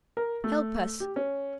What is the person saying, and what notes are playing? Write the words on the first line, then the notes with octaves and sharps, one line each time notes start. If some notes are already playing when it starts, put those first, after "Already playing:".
Help us.
A#4
A3
G4
C#4